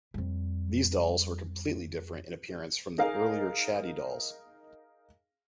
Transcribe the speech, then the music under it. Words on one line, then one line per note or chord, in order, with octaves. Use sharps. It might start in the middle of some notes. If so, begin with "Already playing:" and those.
These dolls were completely different in appearance from the earlier Chatty dolls.
F2 G3
D#4 G#4 A#4 F5